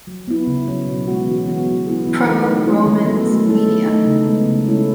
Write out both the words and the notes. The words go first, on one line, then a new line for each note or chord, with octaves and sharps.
Pro Romans Medea.
F#3
B3 E4
C#3
F#3 C#4
B2
G#3 B3 F#4
E3
B3 F#4
F#3
B3 E4 G#4
E3
A3 D#4 A4
F#3
C#4 E4
D#3
F#3 B3 F#4 A4
A3
E4 A4
D#3
A3 D#4
C#3
G#3 B3
C#3
G#3 C#4 E4 A4